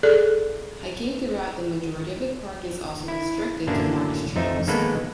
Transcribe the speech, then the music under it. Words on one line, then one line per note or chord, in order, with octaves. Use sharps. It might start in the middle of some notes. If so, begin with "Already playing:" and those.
Hiking throughout the majority of the park is also restricted to marked trails.
G#4 A4 D5
E4
F#2 A2 D3 A#3 D4 E5
F2 A3 D#4 C5 E5
D#3 G#3 A#3 B3 A4 B4